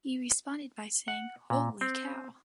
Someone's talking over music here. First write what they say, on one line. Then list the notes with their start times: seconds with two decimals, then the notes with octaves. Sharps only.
He responded by saying Holy cow!
1.08 F#5
1.50 A#2
1.81 C4